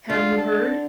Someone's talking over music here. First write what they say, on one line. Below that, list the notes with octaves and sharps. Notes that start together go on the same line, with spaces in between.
Have You Heard?
D3 F4
A5